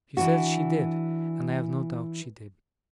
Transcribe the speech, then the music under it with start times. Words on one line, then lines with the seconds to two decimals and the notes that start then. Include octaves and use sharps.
She said she did, and I have no doubt she did.
0.17 E3 D4 F#4